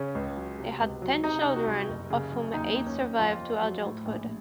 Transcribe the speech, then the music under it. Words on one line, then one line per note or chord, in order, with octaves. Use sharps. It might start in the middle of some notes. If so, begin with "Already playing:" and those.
They had ten children, of whom eight survived to adulthood.
Already playing: C#3 C#4
C#2
F#3
C3
C#2
F#3
C3 D#4
C3
F#4
C2
F#1
C#3
F#2
D#2 D#4
D#2
C#4
D#2
F2 F4
F2
F#3
A2
A#1